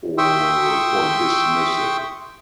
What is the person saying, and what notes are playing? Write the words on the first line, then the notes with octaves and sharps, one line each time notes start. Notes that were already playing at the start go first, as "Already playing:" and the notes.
or or dismissive,
E5 G5 C6 C#6 D#6 E6